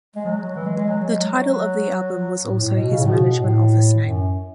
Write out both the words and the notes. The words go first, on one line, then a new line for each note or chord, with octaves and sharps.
The title of the album was also his management office name.
G#3
F#3
E3
G#3
G#3
F#3
G#3
F#3
A2
A2
B2
C#3
A2
B2
A2
F#2